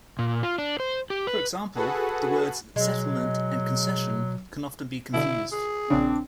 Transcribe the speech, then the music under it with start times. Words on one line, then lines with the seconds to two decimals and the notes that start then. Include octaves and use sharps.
For example, the words "settlement" and "concession" can often be confused.
0.19 A#2
0.43 F4
0.58 D4
0.80 C5
1.10 G4
1.27 B4
1.75 F#4 G#4 A4 B4 F#5
2.76 B2 F#3 G#3
5.14 B2 D3 E4
5.52 G#4
5.90 A#1 C#3 C4 D4